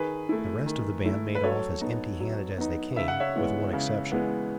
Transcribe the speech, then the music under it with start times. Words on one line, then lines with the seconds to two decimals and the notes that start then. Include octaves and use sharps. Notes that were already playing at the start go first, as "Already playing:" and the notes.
The rest of the band made off as empty-handed as they came, with one exception.
Already playing: D#3 G#4 B4
0.29 A3 E4
0.66 D#3
1.05 A3 E4
1.35 B4
1.43 F#3 A4 C#5
1.81 B3 D#4
2.20 F#3
2.58 B3 D#4
2.96 C#3 E5
3.08 F#5
3.20 C#5 E5
3.36 E3 G#3 B3
3.73 C#3
4.12 E3 G#3 B3